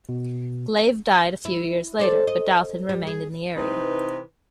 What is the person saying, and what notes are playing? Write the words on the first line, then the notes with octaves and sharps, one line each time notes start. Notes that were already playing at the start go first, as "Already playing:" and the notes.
Glave died a few years later, but Dalton remained in the area.
B2
E4
A4 C5 D5
D#5
G3
G#4
C3 E3 D#4 B4